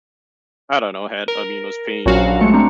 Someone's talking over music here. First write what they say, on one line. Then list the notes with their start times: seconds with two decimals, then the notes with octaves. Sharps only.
I don't know, had, I mean, I was paying
1.28 A#4
2.06 A#1 F#3 C#4 F#4 F5
2.41 G#3 A3 C#7
2.53 C4 D4 A#5